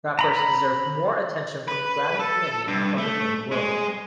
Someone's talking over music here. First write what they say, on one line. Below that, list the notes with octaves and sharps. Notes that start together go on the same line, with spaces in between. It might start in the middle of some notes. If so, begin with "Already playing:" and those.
Rappers deserve more attention from the Grammy committee and from the whole world.
A#5 B5
B4
A4
G2
A3
G#3